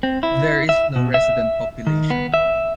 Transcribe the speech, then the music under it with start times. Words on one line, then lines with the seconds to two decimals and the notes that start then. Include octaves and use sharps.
There is no resident population.
0.03 C4
0.23 E4
0.69 E5
0.96 B2
1.14 E5
1.87 D#3
2.10 B3
2.34 E5